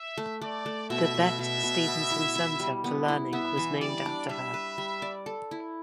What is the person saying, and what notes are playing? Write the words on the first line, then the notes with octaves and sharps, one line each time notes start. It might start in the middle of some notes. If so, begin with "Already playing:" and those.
The "Bette Stephenson Centre for Learning" was named after her.
Already playing: E5
A3
A3 D5
A3
B2 E5
B2
B2 E5
B2
B3
E4
E4
G3
B3
E4
B3 E5
E3
G3 D5
D4
G3 E5
B4
G3
D5
A4
E4